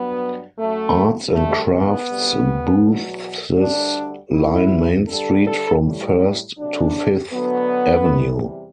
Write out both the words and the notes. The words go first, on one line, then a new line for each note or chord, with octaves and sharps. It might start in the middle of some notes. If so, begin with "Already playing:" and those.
Arts and crafts booths line Main Street from First to Fifth Avenue.
Already playing: G2 F#3 B3
F#2 F#3 A3
D2 D3 G3 A3
B3
D2 C3 G3
E2 B2 F#3
D2 D3 G3 D4
E2 C3 F#3 E4
G2 D3 G3 A4
A4
A2 G3
D2 C3 F#3 D4
D2 D3 F#3 B3
E2 C3 E3 G3